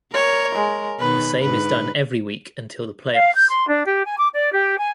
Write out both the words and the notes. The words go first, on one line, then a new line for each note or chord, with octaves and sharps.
The same is done every week until the playoffs.
A#4 C#5
G#3
B2 D#3 B4
G#2 D3 B4
F5
G6
C6
D4
G4
G#5
D6
D5
G4
G#5